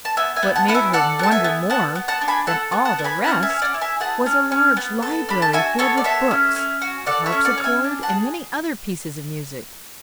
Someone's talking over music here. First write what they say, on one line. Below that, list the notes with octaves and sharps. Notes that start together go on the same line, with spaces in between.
What made her wonder more than all the rest was a large library filled with books, a harpsichord, and many other pieces of music.
A5
B3 E5 G#5
E5 G#5
B3
F#5 A5
E4 F#5
E5 G#5
A4 D5 F#5
B3 A5
E5 G#5
B3
B3 F#5 A5
B3
F#5 A5
D4
G#5 B5
A4 F#5 A5
B3
F#5 A5
B3
G#5 B5
C#4 F#5 A5
E5 G#5
C#4
D5 F#5
E4
E5 G#5
G#4 F#5 A5
C#4
C#4
B3
A4
D4 B5
A5
F#4 E5 G#5
B3 A4 C#5
D5
A4 C#5 E5
C#4
C#4
F#4
A4 D5 F#5
C#5 E5
C#4
D5 F#5
C#4
E5 G#5
D4
F#5 A5
G#4